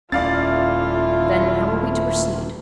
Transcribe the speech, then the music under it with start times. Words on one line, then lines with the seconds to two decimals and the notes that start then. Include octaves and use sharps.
"Then how are we to proceed?"
0.12 D#1 A3 C#4 E4 F4 D5 F5 A6